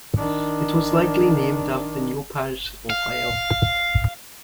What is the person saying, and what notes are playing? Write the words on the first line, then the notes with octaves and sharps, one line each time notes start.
It was likely named after New Paris, Ohio.
D#3 D4
F5